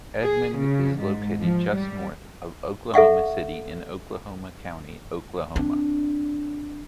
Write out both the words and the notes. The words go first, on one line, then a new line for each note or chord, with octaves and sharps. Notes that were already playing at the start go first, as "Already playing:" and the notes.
Edmond is located just north of Oklahoma City in Oklahoma County, Oklahoma.
G#4
C#3
G#2
F3
G3
A4 E5 F#5 C#6
C4 D4